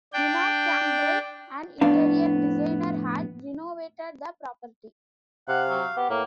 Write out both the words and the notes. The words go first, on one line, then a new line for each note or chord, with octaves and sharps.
Nina Campbell, an interior designer, had renovated the property.
D4 G5
F2 A2 B3 D4 F5
C3 F5 F#5
F#3
B3 G4
A2 A#3